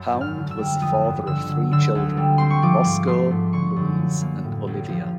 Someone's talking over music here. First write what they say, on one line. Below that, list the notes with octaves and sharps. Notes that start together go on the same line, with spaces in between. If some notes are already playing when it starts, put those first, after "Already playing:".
Pound was the father of three children: Roscoe, Louise, and Olivia.
Already playing: F#2
G#1
F6
D3
E6
G3
F2 D#6
G1
D3 E6
F#3
D3 E6
D2
G3
C4 C6
C#6
F3 D6
G#2
A3 C6
G#2
D3 C#6
F#2
F3
A#3
A2
A1
F3